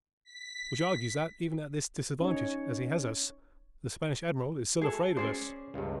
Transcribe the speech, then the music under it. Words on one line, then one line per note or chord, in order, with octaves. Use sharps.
"Which argues that, even at this disadvantage as he has us, the Spanish Admiral is still afraid of us."
B6
C#4 D#4 C#5
G#4 A4
C#4 G#4 C5 D5
C#2 G2